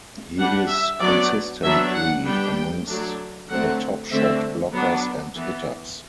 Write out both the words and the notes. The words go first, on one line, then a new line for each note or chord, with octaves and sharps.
He is consistently amongst the top shot blockers and hitters.
G3 D4 F#5
E5
F#3 B3 D4 D5
F#3 B3 D4 E5
F#5
G3 B3 D4 G5
F#3 A3 D4
D3 F#3 A3 C4 F#5
D3 A3 C4 E5
F#3 B3 D4
E3 B3